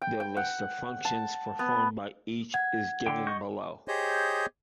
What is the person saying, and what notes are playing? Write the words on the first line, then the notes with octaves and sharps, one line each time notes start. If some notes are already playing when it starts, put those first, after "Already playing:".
The list of functions performed by each is given below.
G5
G5
F#5
A5
B3
F#5 G#6
D3 G5
D#5 C#6 G6
G4 G#4 C5 C#5 D#5 G6